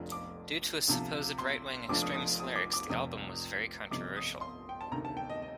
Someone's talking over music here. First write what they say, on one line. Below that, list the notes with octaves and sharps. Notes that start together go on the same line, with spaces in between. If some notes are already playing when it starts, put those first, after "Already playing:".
Due to supposed right-wing extremist lyrics, the album was very controversial.
Already playing: F1 F2 D3 F3
D6
D2 C3 F3
C6
F1 F2 D3 F3 D6
D#6
D#6
D#6
D6
D6
F1 F2 C3 F3 D#6
G1 F2 C3 D6
D#6
C6
G5
A5
D2 C3 D#3 A#5
A5
G5
D#5
D#5